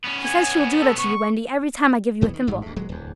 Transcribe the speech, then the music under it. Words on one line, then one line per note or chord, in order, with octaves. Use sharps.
"She says she will do that to you, Wendy, every time I give you a thimble."
B3 C#4
G#5
A4
C#6
B1 E2 E3 B3
D#3
A1 G#2 F#3
D2 G#2
D#1 F#3 G#3
D1 E2